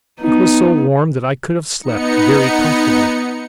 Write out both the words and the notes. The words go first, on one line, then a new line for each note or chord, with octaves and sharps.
It was so warm that I could have slept very comfortably.
B3 D#4
B3 D#4 C#7